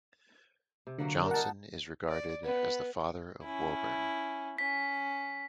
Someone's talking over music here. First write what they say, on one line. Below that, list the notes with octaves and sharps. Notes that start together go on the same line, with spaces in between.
Johnson is regarded as the father of Woburn.
C3
D3 F#3 A#3 F#5
G3 D4 A#4 D5
D#4 F4 F#5 A5
D5
B3
C#4 E4
C#4 B6